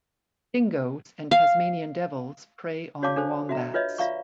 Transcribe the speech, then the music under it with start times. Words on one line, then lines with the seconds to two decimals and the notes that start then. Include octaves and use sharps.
Dingos and Tasmanian devils prey on wombats.
1.31 F5
3.03 F#4 C#5 D5 F5 A5 D6
3.16 D4 A4 C5
3.49 F#4 E5 A#5
3.74 F4 B4 C#5 D#5 E5
3.98 F4 D5 E5 F5 A#5 C#6